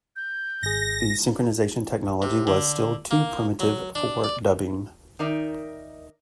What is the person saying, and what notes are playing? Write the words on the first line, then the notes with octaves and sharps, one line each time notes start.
The synchronization technology was still too primitive for dubbing.
G6
G#1 G#4 A#6
C3
D3
A#3
F#3
D4
D5
D#3 D#4 A#4 D5 E5